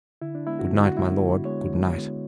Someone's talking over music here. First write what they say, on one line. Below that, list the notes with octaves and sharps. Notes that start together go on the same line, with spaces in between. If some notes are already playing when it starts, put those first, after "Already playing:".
Good night, my lord, good night.
D3 E4
D4
G#3 B3 E4
F#4
D3
F#4
G#3 B3 E4
D3
G#3 B3 C#5
D3
G#3 B3